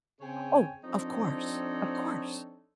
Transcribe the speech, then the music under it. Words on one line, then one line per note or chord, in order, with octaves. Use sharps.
Oh, of course, of course.
C#3 C4 G#4 C#5 G5 G#5
F3 C4 D4 D#4 A4 C#5